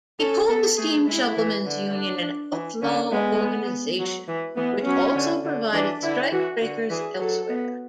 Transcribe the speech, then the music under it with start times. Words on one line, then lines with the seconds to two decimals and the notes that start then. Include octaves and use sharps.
He called the Steam Shovelmen's Union an "outlaw organization" which also provided strikebreakers elsewhere.
0.20 C#4 A4
0.49 B3 A4
0.79 A3 G#4
1.07 G#3 E4
1.37 E3
1.65 D3
1.94 D4
2.53 E3
2.82 D3 C#4
3.11 G#3 B3
3.40 B3
3.99 F#3
4.28 E3
4.57 E3 B3
4.86 F#3 C#4
5.16 D3
5.44 D3
5.73 E3 D4
6.03 D3 E4
6.32 E3 F#4
6.61 D3 F#4
6.90 E3 G#4
7.20 F#3 A4
7.49 B3